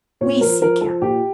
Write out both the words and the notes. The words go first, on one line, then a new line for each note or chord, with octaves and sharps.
We seek him.
A#2 C#5
F3 A#4
F3 A#4
F3 A4
A#2 G4